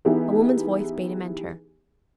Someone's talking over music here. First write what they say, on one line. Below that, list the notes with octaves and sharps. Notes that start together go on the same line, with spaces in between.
A woman's voice bade him enter.
E3 B3 D#4 E4 G4 G#4